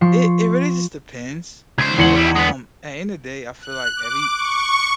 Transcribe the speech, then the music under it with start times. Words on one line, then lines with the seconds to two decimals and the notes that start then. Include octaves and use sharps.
it it really just depends. You know? Um, at end of day, I feel like every
0.01 F3 C6 C#6
1.78 C#2 C5 G#6
1.98 E2 C#7 F#7
2.16 G3 E4
2.36 G#3 B3
3.59 F#6
3.96 D6
4.35 C#6